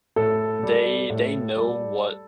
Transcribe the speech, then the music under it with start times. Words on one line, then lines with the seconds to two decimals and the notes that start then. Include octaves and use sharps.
they they know what
0.16 A2 A4
0.63 G3
1.10 A2
1.57 G3